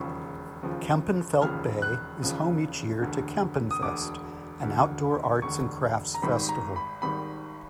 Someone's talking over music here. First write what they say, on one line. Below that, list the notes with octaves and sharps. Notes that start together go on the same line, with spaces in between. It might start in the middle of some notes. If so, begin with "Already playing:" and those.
Kempenfelt Bay is home each year to Kempenfest, an outdoor arts and crafts festival.
Already playing: E1 D#2 C#3 F3 C#6
E1 D#2 C#3 F3
E1 D#2 C#3 F3 F6
F#6
E1 D#2 C#3 F3
E1 D2 D3
D#6
E1 D2 D3 D6
E1 D2 D3
E1 D2 D3 C#6
A#5
G#1 G#2 D#3 G3 B5
A#5
B5
G#1 G#2 D#3 G3 B5